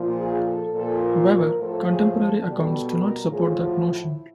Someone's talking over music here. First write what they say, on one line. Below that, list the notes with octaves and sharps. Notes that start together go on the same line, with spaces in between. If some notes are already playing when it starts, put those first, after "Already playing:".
However, contemporary accounts do not support that notion.
Already playing: A#2 F3
G#4
A4
A#2 F3 A4
A#4
A#4
A2 F3 A4
G#4
A4
B2 G3 A4
A4
A#4
A2 F3 G#4
F#4
E4